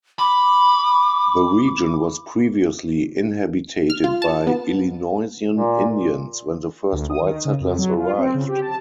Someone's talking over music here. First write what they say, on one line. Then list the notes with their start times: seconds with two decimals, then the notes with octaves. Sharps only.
The region was previously inhabited by Illinoisan Indians when the first white settlers arrived.
0.19 B5 D6
3.90 F6
4.04 F4
4.22 A5
4.47 B3
5.52 A#2
6.92 D2
7.10 D#6
7.22 D#3
7.45 C#3
7.60 F2
7.78 F#3
7.97 F4
8.18 C4
8.34 C#3
8.48 G4
8.62 A5